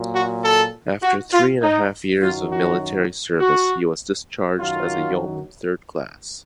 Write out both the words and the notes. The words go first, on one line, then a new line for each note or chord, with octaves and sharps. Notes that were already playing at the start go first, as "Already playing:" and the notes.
After three-and-a-half years of military service, he was discharged as a yeoman third class.
Already playing: A#2 F#3
F#4
A4
F#4
F4
D#4
F#2 D#3 F#3 F4
F#4
F#4
F#2 D#3 F#3 F4